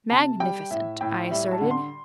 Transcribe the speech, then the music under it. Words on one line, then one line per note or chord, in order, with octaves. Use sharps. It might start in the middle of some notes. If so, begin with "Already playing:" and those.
"Magnificent!" I asserted.
C3 A5
G3 G5
A2 E5
A2 G5
G3 E5
A5
D3
C6